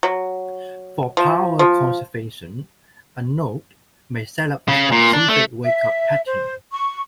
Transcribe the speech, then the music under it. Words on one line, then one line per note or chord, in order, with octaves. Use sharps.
For power conservation, a node may set up a specific wake up pattern.
F#3
F3
F3
C#3
A#2
D4
A3
E5
C5
C#6